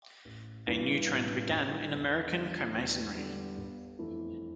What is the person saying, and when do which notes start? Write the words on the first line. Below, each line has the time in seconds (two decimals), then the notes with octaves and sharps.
A new trend began in American Co-masonry.
0.25 A1
0.68 G2 E3
1.08 A1
1.50 G2 E3
1.92 E2
2.33 D3 G3
2.75 E2
3.16 D3 G3
3.58 G1
3.99 F2 E3 A3 E4